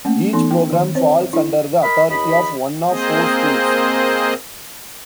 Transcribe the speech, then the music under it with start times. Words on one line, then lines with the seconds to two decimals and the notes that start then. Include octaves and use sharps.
Each program falls under the authority of one of four Schools.
0.05 A3 A#3 C#4
0.33 E3 B3 D#4 A4 C6
0.51 G5
0.72 D#3
0.95 C4 C5 C#5
1.33 D4 E4
1.82 A#4 D#5 B5
2.10 D#2 D#5 B5
2.89 A#3 C4 G#4 C5 D#5